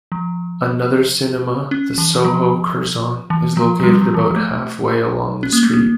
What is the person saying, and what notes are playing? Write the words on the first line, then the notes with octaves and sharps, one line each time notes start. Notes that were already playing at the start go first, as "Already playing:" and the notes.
Another cinema, the Soho Curzon, is located about halfway along the street.
F3
C#4
E3
F3
E3
F3
F3
G3
F3
E3
F3
A3
C#4
A#3
A3
A#3